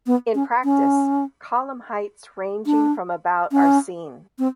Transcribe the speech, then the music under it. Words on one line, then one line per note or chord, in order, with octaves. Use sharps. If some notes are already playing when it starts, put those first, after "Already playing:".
In practice, column heights ranging from about are seen.
B3
C#4
C#4
D4
C#4
C4